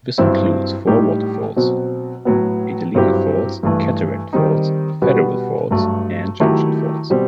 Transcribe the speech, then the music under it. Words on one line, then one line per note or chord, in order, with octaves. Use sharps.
This includes four waterfalls: Adelina Falls, Cataract Falls, Federal Falls and Junction Falls.
G2 F#3 C4 E4
A2 G3 D#4 G4
B2 F#3 C4
A2 F#3 B3
G2 F#3 C4 E4 G4
G2 E3 A3
D#3 G3 C4 D#4
B2 G3 B3 F#4
G2 F#3 A3
D#3 F#3 A3 E4 G4
B2 G3 C4